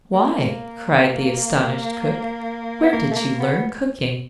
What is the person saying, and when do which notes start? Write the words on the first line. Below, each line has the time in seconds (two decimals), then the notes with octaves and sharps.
'Why,' cried the astonished cook, 'where did you learn cooking?
0.13 A#3
2.83 B3
2.93 A#3
3.11 A3
3.16 A#3
3.40 B3